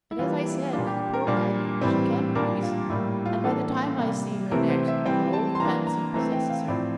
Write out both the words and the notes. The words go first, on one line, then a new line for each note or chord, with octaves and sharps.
But as I said, poor Radie, she can't reason; and by the time I see her next, her old fancy possesses her.
E4
E3 G3 A#3 F4
E4
A#2 G3 A#3 D4 F4
G4
G4
A#4
A#2 G3 A#3 D4 A#4
A2 E3 G3 C4
A#2 G3 A#3 D4 A#4
F4
A2 G3 A#3 E4
F4
E3 A#3 D4 A4
C3 G3 A#3
C3 E3 A3 C4 A#4
C5
E5
E3 G3 C4 G5
A5
C6
E3 A#3 D4 A#5
A#5
E3 A3 C4 A#5
G5
F5
A2 F3 C4 D5